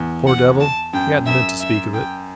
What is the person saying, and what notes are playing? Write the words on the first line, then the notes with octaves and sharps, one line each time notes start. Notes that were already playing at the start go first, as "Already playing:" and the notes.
Poor devil--he hadn't meant to speak of it.
Already playing: E2
F#5
A5
F#2 G5
F#2 E5
E5
G5